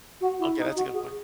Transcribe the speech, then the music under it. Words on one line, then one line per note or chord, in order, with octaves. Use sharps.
Okay, that's a good point.
F#4
E4
D#4
F#4
G#4